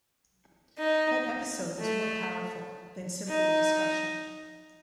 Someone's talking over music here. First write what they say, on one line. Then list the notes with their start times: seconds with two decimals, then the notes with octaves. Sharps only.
That episode was more powerful than simply a discussion.
0.79 D#4
1.79 A3
3.29 D#4